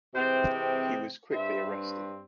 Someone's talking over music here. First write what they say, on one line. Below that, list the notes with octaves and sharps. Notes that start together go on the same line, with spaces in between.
He was quickly arrested.
C3 E3 G#3 C4 C5
G2 G3 C4 E5